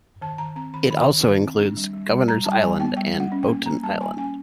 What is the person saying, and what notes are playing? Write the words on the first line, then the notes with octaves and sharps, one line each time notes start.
It also includes Governors Island and Boughton Island.
D#3 A5
D#3 A#5
C4 A#5
D#3 B5
D#3 B5
D#3
D#3
C4
D4
G3
G3
G3
G3 A#5
G3 A5
G3 G#5
B3 G5
G3 G5
G3
F#5
C#4
G5
A#3
A#3 A#5
G3 A5
A#3 G#5
C#4 G#5